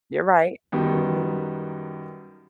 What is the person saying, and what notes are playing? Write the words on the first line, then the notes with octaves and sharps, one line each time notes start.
You're right. Mhm.
F#2 D#3 G3 B3